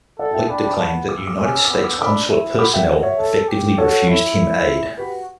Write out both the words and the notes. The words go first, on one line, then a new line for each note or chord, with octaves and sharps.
Leuchter claimed that United States consulate personnel effectively refused him aid.
A4 D5 F#5
E5 G5
D4 G5 B5
G5 B5
D6
B3 A5 C#6
D6
E6
D6
C#4 E6
D6
E6
B3 D6
E6
D6
E6
D4 B5 D6
E4
F#4 B5 D6
E5 G5
C#5 E5
A4
G4
F#4 A4 C#5
E4
F#4 G4 B4